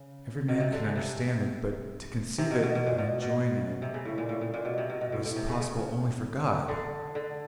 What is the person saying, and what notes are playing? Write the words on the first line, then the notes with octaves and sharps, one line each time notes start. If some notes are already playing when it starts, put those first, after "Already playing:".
Every man can understand it, but to conceive it and enjoin it was possible only for God.
Already playing: C#3
B2
C3
D3
C#3
C3
C3
B2
B2
B2
A#2
B2
B2
C3
C#3
A2
A#2
A2
A#2
A#2
B2
C3
B2
B2
A2
A2
C3
C#3
C#3
D3
D3